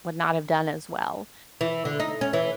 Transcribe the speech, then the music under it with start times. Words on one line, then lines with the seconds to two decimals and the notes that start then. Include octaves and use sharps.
would not have done as well
1.61 E3
1.85 D3
2.00 D#4
2.21 C#4
2.33 E3